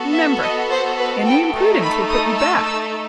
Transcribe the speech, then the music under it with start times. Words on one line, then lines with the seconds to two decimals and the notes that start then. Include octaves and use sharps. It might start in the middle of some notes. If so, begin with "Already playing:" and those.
Remember, any imprudence will put you back.
Already playing: B3 F#4 A4
0.14 E5
0.41 D#5
0.70 C5
0.98 B4
1.26 G5
1.53 A3 D#4 A4
1.82 B5
2.10 D#6
2.38 E6
2.66 E6